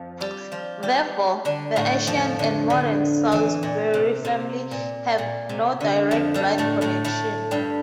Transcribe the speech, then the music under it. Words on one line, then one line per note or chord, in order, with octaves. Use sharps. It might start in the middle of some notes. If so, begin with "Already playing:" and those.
Therefore, the ancient and modern Salusbury family have no direct blood connection.
Already playing: F2 F3
G3 G4
F3 F4
G3 G4
D3 D4
A2 A3
F2 F3
D3
D3
E2 E3
A#2
C3
C3
A#2
A#2
C3
D3
F2 F3
G2 G3
A2 A3
A2 A3
A2 A3
G2 G3